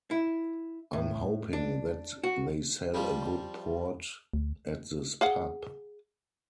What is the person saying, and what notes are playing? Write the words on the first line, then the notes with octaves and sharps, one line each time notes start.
I'm hoping that they sell a good port at this pub.
E4
A2
D4
F#4
F3 G3
D2
G#4 F5 F#5